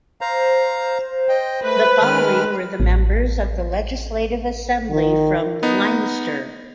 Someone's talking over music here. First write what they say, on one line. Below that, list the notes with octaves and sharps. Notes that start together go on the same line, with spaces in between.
The following were the members of the Legislative Assembly from Leinster.
C5 F5 A#5
D#5 G5
A3 B4
D#3 G#3 F6
A1
D#3
B3 D#4